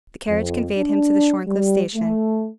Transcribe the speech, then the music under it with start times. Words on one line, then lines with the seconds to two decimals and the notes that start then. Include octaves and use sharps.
The carriage conveyed him to the Shorncliffe station.
0.29 F2
0.77 D4
1.46 G3
1.95 A3